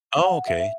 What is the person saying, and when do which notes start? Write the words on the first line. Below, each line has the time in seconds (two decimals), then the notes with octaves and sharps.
Oh, okay.
0.25 F#5
0.48 E5
0.60 E5